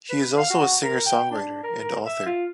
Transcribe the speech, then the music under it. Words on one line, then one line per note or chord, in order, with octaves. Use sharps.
He is also a singer-songwriter, and author.
B4
F5
F#4
A#4
G5
D4
A#4
A#4
E5
F4